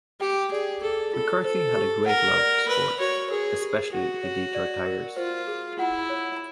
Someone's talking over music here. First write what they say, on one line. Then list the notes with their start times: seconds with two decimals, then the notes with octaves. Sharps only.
McCarthy had a great love for sports, especially the Detroit Tigers.
0.20 G4 G5
0.51 G#4 D5
0.82 G#4 A4
1.13 F4 A4
1.44 A4 C5
1.76 G4
2.06 A#4 F#5
2.38 D5
2.68 A#4 B4
3.00 F#4 C#5
3.30 G#4 A#4
3.62 G4
3.93 F#4 F#5
4.23 C#5
4.55 D5
4.86 A#4
5.17 F4 C5
5.47 G#4
5.79 E4 F#5
6.09 C#5